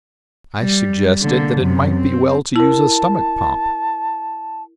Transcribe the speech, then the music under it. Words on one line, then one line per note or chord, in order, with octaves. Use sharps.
I suggested that it might be well to use a stomach-pump.
G3
D3 A#3
F#2 C3
C4
E4 A#4 A5